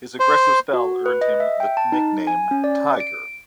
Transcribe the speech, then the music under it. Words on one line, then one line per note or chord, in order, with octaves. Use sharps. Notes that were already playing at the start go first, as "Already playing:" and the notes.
His aggressive style earned him the nickname Tiger.
C5
F#4
B4
D#5
E5
G5
A5
D#4
G#5
C#4
D5
D7